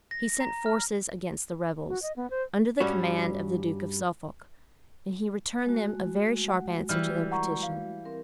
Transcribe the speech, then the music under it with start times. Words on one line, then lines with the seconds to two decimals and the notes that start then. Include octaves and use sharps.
He sent forces against the rebels, under the command of the duke of Suffolk; and he returned them a very sharp answer to their petition.
0.11 A#6
0.40 A#5
0.66 F6
1.88 F#4
2.02 D#5
2.16 B3
2.30 C5
2.80 G2 G3 C#4 F#4
5.66 G#3 A3 F#4
6.49 F#5
6.89 E3 G3 F6
7.31 F#5 A#5 C#6
7.63 F5
8.05 C4 A#4